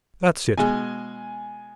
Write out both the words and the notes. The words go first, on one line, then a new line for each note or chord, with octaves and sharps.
That's it.
B2 G#3 G#5